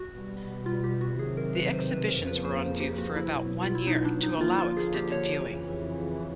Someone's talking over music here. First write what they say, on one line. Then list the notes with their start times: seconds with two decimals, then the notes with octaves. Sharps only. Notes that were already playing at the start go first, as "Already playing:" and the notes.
The exhibitions were on view for about one year to allow extended viewing.
Already playing: F#4
0.12 B2 G3 B3
0.66 F4
0.84 G4
1.01 F#4
1.19 C3 D#3 F#3 G#4
1.37 A#4
1.55 B4
1.73 C5
1.90 B4
2.08 A#4
2.26 F2 C#3 F3 A#3 B4
2.45 C5
2.80 G4
2.98 F#4
3.16 E4
3.33 B2 F#3 B3
3.63 F4
3.75 E4
3.87 D#4
4.05 D4
4.23 D#4
4.41 D3 F3 A#3 F4
4.59 F4
4.77 G#4
4.94 G4
5.12 C#5
5.48 F2 C#3 E3